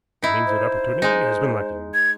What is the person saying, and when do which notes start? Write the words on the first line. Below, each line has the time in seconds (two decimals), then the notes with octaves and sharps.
It means that opportunity has been lacking.
0.22 D#4 E4
0.47 C5
1.02 G#3 D#4
1.94 G#6